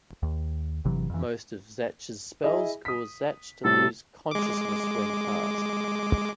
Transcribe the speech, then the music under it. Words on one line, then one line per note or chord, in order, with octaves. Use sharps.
Most of Zatch's spells causes Zatch to lose consciousness when cast.
D#2
G1 C3 E3 F#3
F2 E3
E4 G#4 D#5
D#6 B6
A2 C3 G3 A4
G#3 D6